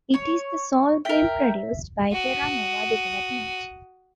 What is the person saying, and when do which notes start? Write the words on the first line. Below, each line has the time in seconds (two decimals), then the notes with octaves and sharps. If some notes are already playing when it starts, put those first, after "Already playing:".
It is the sole game produced by Terra Nova Development.
0.14 C#5
1.05 A#4 E5 G5 B6
2.12 F#4 D#6